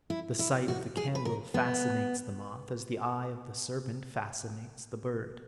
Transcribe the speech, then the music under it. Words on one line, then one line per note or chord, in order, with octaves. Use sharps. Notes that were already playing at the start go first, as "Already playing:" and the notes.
The sight of the candle fascinates the moth as the eye of the serpent fascinates the bird.
E4
E4
F#4
G#4
B4
A#4
B3